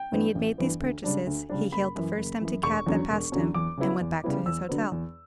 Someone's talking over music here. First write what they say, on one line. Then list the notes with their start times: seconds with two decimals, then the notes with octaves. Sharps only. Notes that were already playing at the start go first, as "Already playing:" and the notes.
When he had made these purchases, he hailed the first empty cab that passed him, and went back to his hotel.
Already playing: G5
0.12 G2 E3 B3
0.35 A1
0.58 G2 E3 B3
0.81 D2
1.04 C#3 G3 D4
1.27 D2
1.49 C#3 G3 D4
1.72 F#1 B5
1.96 F#2 E3
2.18 F#1
2.41 F#2 E3
2.63 E1 C#6
2.86 E2 D3 F#3 C#4
3.10 E1
3.32 E2 D3 F#3 C#4
3.54 E2 D6
3.77 C#3 G3 B3 E4
4.01 E2
4.24 C#3 G3 B3 E4
4.46 E2 E6
4.69 D3 F#3 B3
4.92 E2